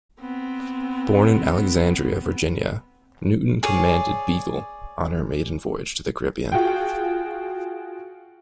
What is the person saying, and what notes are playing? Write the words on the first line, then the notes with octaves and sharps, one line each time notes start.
Born in Alexandria, Virginia, Newton commanded "Beagle" on her maiden voyage to the Caribbean.
B3 C4
G#4 C#5 D5
F4 F#4 G#4 G5